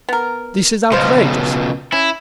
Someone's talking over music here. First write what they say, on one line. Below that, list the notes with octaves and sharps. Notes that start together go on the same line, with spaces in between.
This is outrageous!
B3 A#4
C#2 B2 C5 F5
C#4 E4